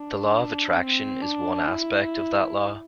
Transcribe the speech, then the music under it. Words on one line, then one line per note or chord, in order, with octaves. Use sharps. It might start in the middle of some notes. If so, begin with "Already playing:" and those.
The Law of Attraction is one aspect of that Law.
Already playing: D4
C4
D4
E4